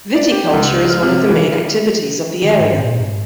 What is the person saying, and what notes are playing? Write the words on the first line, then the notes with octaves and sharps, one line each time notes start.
Viticulture is one of the main activities of the area.
D5
G4
C#2
F6
C3
E3
D#3
G#2
A#2
G#2